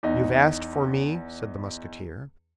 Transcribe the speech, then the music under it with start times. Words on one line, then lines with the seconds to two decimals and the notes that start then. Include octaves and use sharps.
"You have asked for me?" said the Musketeer.
0.03 E2 D#4